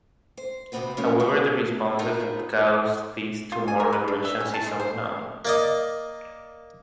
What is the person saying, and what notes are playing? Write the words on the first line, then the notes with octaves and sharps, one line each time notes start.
However, the responses that cause these tumour regressions is unknown.
C5
D2 C3 B3 C4 F#4 B4
C#3 F3 G#3 A#3 B3 C#4
A3 C4 A#4
D#4 F4 G#4 A#4 B4
F4
G#5
A#4
B4
D4
E5
C#4
A5
G#3
C5
A#3 D5 D#5